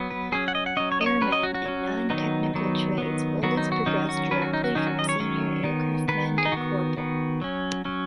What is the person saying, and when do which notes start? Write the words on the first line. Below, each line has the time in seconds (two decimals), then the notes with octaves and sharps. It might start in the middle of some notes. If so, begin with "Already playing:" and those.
Airmen in non-technical trades always progressed directly from senior aircraftman to corporal.
Already playing: F#3 B3
0.10 B4
0.32 F#3 C#4 G#4
0.48 F#5
0.55 D#5
0.66 F#5
0.77 F#3 C#4 D#5
0.92 C#5
1.01 D#5
1.06 C#5
1.21 F#3 C#4 B4
1.32 D#5
1.43 F#4
1.54 F#4
1.66 F#3 C#4
2.10 D#3 F#3 B3 D#4
2.54 D#3 F#3 B3
2.98 D#3 F#3 B3
3.43 D#3 F#3 B3 F#4
3.57 D#4
3.72 F#4
3.86 D#3 F#3 C#4 D#4
4.09 F#4
4.31 D#3 F#3 C#4 B4
4.42 F#4
4.53 D#4
4.64 F#4
4.75 D#3 F#3 C#4 D#4
4.87 F#4
4.99 D#5
5.09 C#5
5.20 D#3 F#3 C#4
5.64 D#3 B3
6.08 D#3 B3 B4
6.38 G#4
6.45 D#4
6.52 D#3 B3 F#4
6.97 D#3 B3
7.42 F#3 C#4
7.85 F#3 C#4